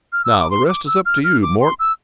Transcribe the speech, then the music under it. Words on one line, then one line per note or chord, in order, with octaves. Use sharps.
Now the rest is up to you, Mort.
F6
E6
D6
C6
D6
E6
F6
F6
D6
C6
E6